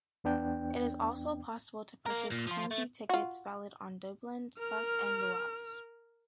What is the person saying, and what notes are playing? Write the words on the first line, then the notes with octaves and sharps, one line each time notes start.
It is also possible to purchase 'Combi' tickets valid on Dublin Bus and Luas.
E2 B3 D4 G5
A#3 A#4
A#2
F3 F4
A3
F4 F#4
A#4 F6